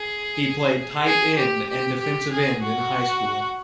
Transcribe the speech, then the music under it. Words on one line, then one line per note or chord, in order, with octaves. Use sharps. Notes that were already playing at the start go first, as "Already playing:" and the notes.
He played tight end and defensive end in high school.
Already playing: G#4
G#4
G4
G4
G4
G#4
F#4